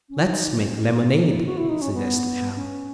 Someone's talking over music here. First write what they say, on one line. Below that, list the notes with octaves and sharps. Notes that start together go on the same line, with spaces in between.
"Let's make lemonade," suggested Hal.
C#4
E4
D#4
D#4
C#4
B3
B3
D#4
E4
F#4
E4
D#4
C#4
B3
C#4